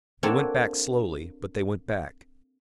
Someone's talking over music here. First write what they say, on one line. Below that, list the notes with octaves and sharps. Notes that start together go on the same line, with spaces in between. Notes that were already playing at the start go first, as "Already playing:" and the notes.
They went back slowly, but they went back.
A#3 C4 D4 F#4 A4 C#5